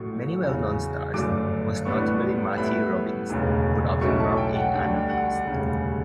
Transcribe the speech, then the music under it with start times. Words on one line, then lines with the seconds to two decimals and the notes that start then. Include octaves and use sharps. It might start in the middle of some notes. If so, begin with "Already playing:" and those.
Many well-known stars, most notably Marty Robbins, would often drop in unannounced.
Already playing: A1 A2 F#3 A3 C#6
0.41 E2 C#3 F#3
1.13 G1 F#2 D3 A3 D4 D6
1.85 A1 A2 G3 B3 D4 C#6
2.57 A2 G3 B3 E4 B5
3.30 E1 D2 C#3
4.01 B1 B2 A3 C#4 E4 C#6
4.20 A5
4.37 G5
4.55 F#5
4.73 D2 D3 G3 D4 G5
5.09 F#5
5.46 E1 D2 C#3 G3